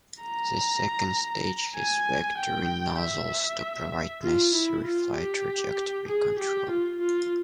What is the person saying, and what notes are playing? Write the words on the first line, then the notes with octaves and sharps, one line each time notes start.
The second stage has vectoring nozzles, to provide necessary flight trajectory control.
A#5
G#5
G5
E5
F4
E4
F4
G4
G#4
G4
F4
F4